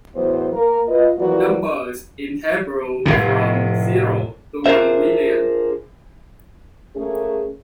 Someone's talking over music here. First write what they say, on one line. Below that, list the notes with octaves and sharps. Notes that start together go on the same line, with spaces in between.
Numbers in Hebrew from zero to one million.
E2 A2 F#3 C5
A#3 A#4
F4 B4 D#5
F2 E3 F#3 A#3 F#4 D5
F1 B1 A2 C3
D4 F4 G#4 A#4 C5 E5
A3 A#3 C#4 G#4